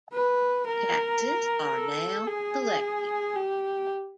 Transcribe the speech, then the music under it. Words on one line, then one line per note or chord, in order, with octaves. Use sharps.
Taxes are now collected.
B4
A#4
A4
G#4
G4